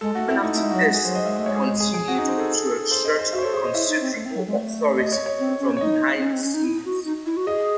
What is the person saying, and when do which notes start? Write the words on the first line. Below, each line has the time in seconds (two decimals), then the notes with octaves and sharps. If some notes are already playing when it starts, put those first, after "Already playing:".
Even after this, he continued to exert considerable authority from behind the scenes.
0.01 G#3 A4
0.15 A3 F#4
0.28 C4 E4
0.42 A3 D#4
0.53 A3
0.56 E4
0.63 G#3
0.70 F#3 F#4
0.84 G#3 F#4
0.94 G#4
1.04 F#3 C5
1.15 D#5
1.25 G#3 E5
1.36 A3 D#5
1.46 G#3 C#5
1.56 G#4
1.80 G#4
1.94 G#4
2.08 C4 F#4
2.18 C#4 D#4
2.29 C4
2.36 G#4 A4
2.91 C5
3.05 D#5
3.19 C5
3.33 F#4 E5
3.38 C5
3.43 A4 C#5
3.53 G#4 C5
3.64 D#5
3.74 E4 E5
3.88 D#4
4.01 C4
4.16 A3
4.26 C4
4.36 F#3
4.47 G#3
4.57 A3
4.98 D#5
5.12 C#5
5.26 C#5
5.39 C4
5.60 C#4
5.77 C#5
5.81 D#4 D#5
6.17 C4
6.23 C#4
6.33 C4
6.43 C#4
6.54 D#4
6.64 E4
6.85 F#4
7.05 D#4
7.26 E4
7.37 F#4
7.47 G#4 D#5